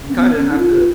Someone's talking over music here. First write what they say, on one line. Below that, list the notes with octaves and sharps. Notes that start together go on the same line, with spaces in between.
you kind of have to
C#4
B3
C#4
D#4
F4